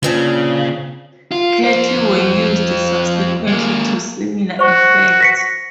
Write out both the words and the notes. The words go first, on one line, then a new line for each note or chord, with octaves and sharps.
Cattle were used subsequently to similar effect.
A#2 C#3 C4 D4
F4
F2 C5
G#3 A#3
F#4 C5 C#6
A#6 B6 C#7